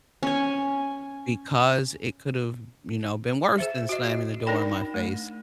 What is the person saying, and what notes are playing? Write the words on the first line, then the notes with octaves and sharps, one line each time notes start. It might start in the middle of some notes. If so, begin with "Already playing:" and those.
because it could've, you now, been worse than slamming the door in my face.
C#4 G#5
G#4 C5 E5
F#4 D#5
D4 D#4 A#4 D5 G5 B5
A3